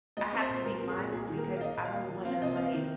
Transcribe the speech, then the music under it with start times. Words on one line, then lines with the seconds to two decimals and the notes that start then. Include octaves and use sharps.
I have to be mindful because I don't wanna, like,
0.17 G#3 D#5
0.33 C4
0.41 C5
0.49 A#2
0.64 G#3 A#4
0.81 C4
0.89 G#4
0.98 A#2
1.12 A#3 G#4
1.29 D#3
1.37 A#4
1.45 A#3
1.56 F5
1.60 A#3 D#5
1.77 A#2
1.85 F5
1.93 A#3
2.09 F3
2.25 C4 F5
2.42 C3 D#5
2.57 C4 F5
2.73 D#3